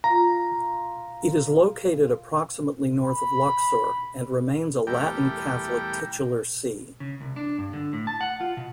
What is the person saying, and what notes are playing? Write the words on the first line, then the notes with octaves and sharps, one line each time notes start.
It is located approximately north of Luxor and remains a Latin Catholic titular see.
F4 A#5
B5
E2 G3 A3 G4 A#4 G5
C#3
C2
D4
G2
D3
A2
A5
F#5
F4
B2